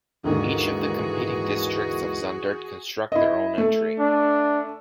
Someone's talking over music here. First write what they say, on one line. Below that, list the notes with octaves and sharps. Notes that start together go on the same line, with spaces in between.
Each of the competing districts of Zundert construct their own entry.
D#2 G#2 D3 E3 F#4 G#4
E4 D#5
A3
D4